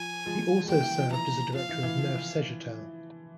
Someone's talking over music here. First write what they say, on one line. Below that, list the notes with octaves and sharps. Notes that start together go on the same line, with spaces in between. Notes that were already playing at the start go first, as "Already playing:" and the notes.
He also served as a director of Neuf Cegetel.
Already playing: F3 G#5
F3 G#3
G#3
G3 A#3 G5
E3
F3
E3 A#5
F3 F5
E3
E3
F3